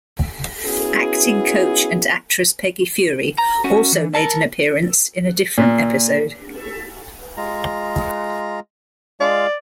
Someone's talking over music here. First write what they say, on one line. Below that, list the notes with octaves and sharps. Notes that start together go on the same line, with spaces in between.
Acting coach and actress Peggy Feury also made an appearance, in a different episode.
B3 C#4 E4 F#4 G#4
A#5
C#4 F#4
E3
A#4 A5
A#2
G#3 F4 A#5
G#3 F4 D5 F5